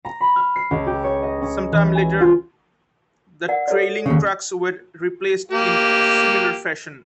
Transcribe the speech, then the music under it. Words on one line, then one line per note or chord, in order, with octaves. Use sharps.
Some time later, the trailing trucks were replaced in similar fashion.
A#5
B5
F6
C7
C#2
G4
C#5
D#5
C#4
E3
G#5
F4
A#4 D5 F#5
A4 C#5 D5
D#2 C#3
A#3 G4